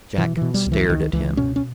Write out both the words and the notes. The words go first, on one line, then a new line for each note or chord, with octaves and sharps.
Jack stared at him.
B2 E3
B2 E3
G3
C#2
E3
C#2 D#3
C#2 E3
B2 C#4
C#4